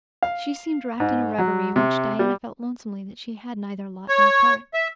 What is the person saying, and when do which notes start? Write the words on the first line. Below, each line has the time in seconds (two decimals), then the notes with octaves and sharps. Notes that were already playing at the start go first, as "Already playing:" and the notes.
She seemed wrapped in a reverie in which Diana felt lonesomely that she had neither lot nor part.
0.23 F5
1.00 G#2
1.38 F#3
1.76 C3
2.19 G3
4.09 C#5
4.74 E5